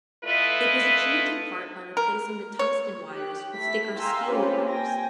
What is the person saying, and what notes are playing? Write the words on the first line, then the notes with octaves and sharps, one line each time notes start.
It was achieved in part by replacing the tungsten wires with thicker steel wires.
A3 E4 F4 B4 D#5
A#4
C#5
G4 F#6
A3 E4 B6
F5 G5 G#5 A#5 C6 E6
A#3 C4 C#4 F4 G4 B4
G5 G#5 A#6